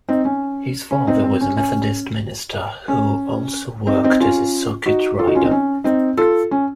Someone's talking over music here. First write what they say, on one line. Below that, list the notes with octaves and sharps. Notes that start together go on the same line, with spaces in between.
His father was a Methodist minister who also worked as a circuit rider.
C4 D#4
C#4
C#4
C4 D#4
C4
C#4
C#4
C#4
C4 D#4
C4 D#4
C#4 F4
D#4 F#4
F4 A4
D#4 F#4
C#4 F4
C4 D#4
C#4
C4 D#4
F4 A4
C#4